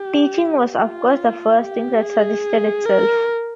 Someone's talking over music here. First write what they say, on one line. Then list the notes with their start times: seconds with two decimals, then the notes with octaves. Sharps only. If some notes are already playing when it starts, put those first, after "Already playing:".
Teaching was, of course, the first thing that suggested itself.
Already playing: G4
0.78 F4
1.61 G4
2.03 G#4
2.86 A#4